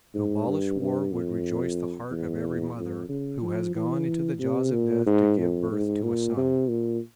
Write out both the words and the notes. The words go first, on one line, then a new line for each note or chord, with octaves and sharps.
To abolish war would rejoice the heart of every mother who has gone into the jaws of death to give birth to a son.
G#2
G2
G2
F2
E2
F2
C#3
F3
E3
C3
A#2
G#2
F2
G#2
A#2
C3
A#2